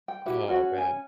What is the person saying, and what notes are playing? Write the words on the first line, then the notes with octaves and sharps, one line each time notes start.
Oh man.
G5
E4 F#4 G4
C#4 F#4
C#4 G#5